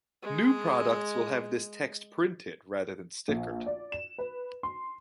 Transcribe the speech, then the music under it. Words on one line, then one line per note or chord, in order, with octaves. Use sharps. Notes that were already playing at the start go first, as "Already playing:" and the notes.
New products will have this text printed, rather than stickered.
G#3 D#5
A#1
D5
E7
B4
C6